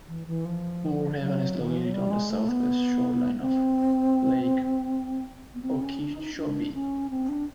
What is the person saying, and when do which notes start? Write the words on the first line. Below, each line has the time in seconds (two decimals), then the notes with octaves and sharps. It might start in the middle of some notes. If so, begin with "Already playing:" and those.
Moore Haven is located on the southwest shoreline of Lake Okeechobee.
0.08 E3
0.27 E3
0.45 F3
1.19 F#3
1.60 D#3
1.69 E3
1.77 F3
1.85 F#3
1.93 G3
2.11 G#3
2.30 A3
2.49 B3
3.41 C4
5.54 B3
5.62 C4
5.81 C#4
6.00 D4
6.18 D#4
6.36 D4
6.74 C#4
7.11 C4
7.29 D4